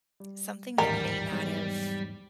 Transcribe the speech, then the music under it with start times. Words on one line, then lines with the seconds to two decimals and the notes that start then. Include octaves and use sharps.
something that may not have
0.20 G3
0.78 A1 D#2 G#2 G3 A#4
1.31 E2 G#2 F#3